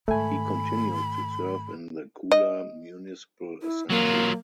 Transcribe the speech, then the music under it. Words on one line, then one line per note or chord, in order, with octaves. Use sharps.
He continues to serve in the Kula municipal assembly.
G#2 D#3 A3 G#5 B5
D#5
E4
F#3 A#3 F4